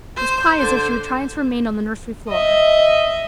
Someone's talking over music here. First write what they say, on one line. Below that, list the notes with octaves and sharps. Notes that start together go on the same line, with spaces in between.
It was quite as if she were trying to remain on the nursery floor.
C5
D3 C5
D#5 E5